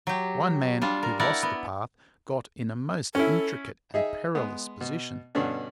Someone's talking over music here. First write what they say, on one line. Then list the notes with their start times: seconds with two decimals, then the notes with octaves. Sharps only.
One man, who lost the path, got in a most intricate and perilous position.
0.07 F#3 G4
0.82 G3 D4 F4
1.03 A#4
1.20 E4 A#4 D5 F#5
1.43 B3
3.15 C#4 E4 A4
3.94 D#4 G#4 D#5 E5
4.35 G#3 B3
4.81 B2
5.35 G2 B2 D3 C#4 D4